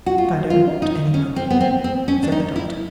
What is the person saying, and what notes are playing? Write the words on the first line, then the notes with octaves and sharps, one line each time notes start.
"But I don't want any money," said the Doctor.
F#4
F4
F4
D#4
C#4
C4
B3
C4
C4
C#4
D4
D#4
E4